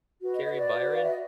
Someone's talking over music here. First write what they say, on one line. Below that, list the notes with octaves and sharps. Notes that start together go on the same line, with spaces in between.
Carrie Byron,
F#4 B4
D#5
D#5
C#5
D5
F#4 B4
F5
E5
D#5